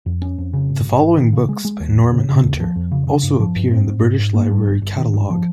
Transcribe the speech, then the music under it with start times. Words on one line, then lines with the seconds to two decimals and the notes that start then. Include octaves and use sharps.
The following books by Norman Hunter also appear in the British Library catalogue.
0.06 F2
0.22 C#4
0.38 F2
0.53 C#3
0.69 G#1
0.85 G#1
1.01 G#1
1.17 D#3
1.33 C#3
1.49 G#3
1.65 G#3
1.80 D#2
1.97 F1
2.12 C#3
2.29 C#3
2.44 D#2
2.60 F3
2.76 F2
2.92 C#3
3.07 C#3
3.23 G2
3.40 F3
3.56 G2
3.71 C4
3.87 G#2
4.02 G#2
4.19 G#2
4.34 A#3
4.51 G2
4.67 G1
4.82 G1
4.98 D#3
5.13 G#2
5.30 F3